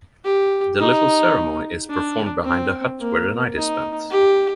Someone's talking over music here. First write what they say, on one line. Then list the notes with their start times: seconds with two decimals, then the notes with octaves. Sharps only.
The little ceremony is performed behind the hut where the night is spent.
0.25 G4
0.80 D#4
1.90 D4
2.44 C4
3.00 A#3
3.56 D#4
4.11 G4